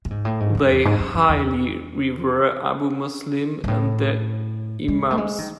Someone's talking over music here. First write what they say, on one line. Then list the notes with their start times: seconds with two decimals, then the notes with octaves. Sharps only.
They highly revere Abu Muslim and their imams.
0.05 A2
0.10 G#2
0.25 A2
0.40 G#2
0.55 F#2
0.70 E2
0.85 G#2
1.00 F#2
1.14 F#2
1.29 E2
3.64 G#2
3.68 A2
4.88 G#3
5.11 A3
5.18 G#3
5.38 D#3